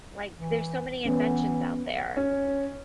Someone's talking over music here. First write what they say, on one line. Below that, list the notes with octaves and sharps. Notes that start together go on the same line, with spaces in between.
Like, there's so many inventions out there.
E3
E3 B3 C#4
C#4